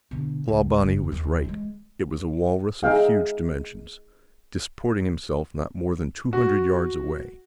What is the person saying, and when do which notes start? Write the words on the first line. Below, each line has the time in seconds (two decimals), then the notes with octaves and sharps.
Clawbonny was right, it was a walrus of huge dimensions, disporting himself not more than two hundred yards away.
0.11 B2 D3
0.48 C#2
0.80 F#1
1.12 D#2
1.45 E3 G#3
2.83 D#4 G#4 E5 F5 G5
6.33 F#4